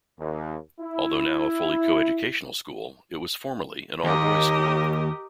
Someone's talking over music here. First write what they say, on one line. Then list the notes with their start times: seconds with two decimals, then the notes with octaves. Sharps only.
Although now a fully co-educational school, it was formerly an all-boys school.
0.19 D#2
0.81 E4
4.04 D#2 G4 A#4 D#5